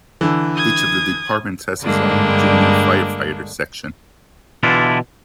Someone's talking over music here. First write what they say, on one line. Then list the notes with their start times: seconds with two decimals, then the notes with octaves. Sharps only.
Each of the departments has his own junior firefighter section.
0.21 D3 E3
0.57 D#6 G#6
1.81 G2 D3 G3 G#3 A#3 D4
4.63 B2 D3 E3 D4 E4 F4